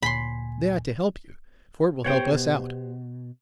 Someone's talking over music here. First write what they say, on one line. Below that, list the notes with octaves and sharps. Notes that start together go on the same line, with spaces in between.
They ought to help you, for it will help us out.
D2 A#2 G#5 B5 C6
B3 G4 C5 C#5 F#5 G5
B2